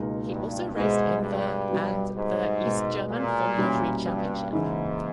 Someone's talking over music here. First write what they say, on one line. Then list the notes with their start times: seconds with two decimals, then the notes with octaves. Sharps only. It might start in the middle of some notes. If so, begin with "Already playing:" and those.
He also raced in the and the East German Formula Three Championship.
Already playing: C#2 B2 A#3 D#4 G#4
0.29 G2
0.76 G#2 B2 G#3 B3 E4 G#4
1.22 G2
1.70 B2 G3 B3 G4
2.17 G#2
2.64 B2 G#3 B3
3.11 A#2
3.58 B2 G3 A#3 C#4 E4
4.05 G2
4.51 G#2 C#3 E3 A#3 E4 G#4